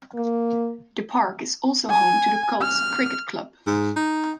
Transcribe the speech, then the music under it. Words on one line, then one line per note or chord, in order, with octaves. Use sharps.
The park is also home to the Cults Cricket Club.
A#3
G#5
F6
G#2
D#4